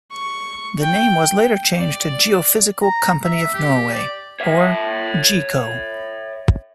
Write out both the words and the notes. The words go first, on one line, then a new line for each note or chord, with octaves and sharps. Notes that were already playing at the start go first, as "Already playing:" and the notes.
The name was later changed to Geophysical Company of Norway or Geco.
C#6
G5
D5
A#5
E5
G4
D5
C#5 E5